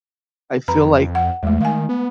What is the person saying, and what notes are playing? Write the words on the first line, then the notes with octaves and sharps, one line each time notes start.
I feel like
F2 B4 A#5 B5
F#5
E2 G#3 A3
D#3 F5 G#5
B3